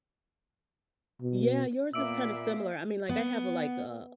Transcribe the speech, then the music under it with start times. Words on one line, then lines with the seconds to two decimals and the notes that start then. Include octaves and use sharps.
Yeah, yours is kinda similar. I mean, like, I have a like, uh
1.22 B2
1.93 A#2 A#3 B3 E5 D6 E6 D7 F#7
3.09 B3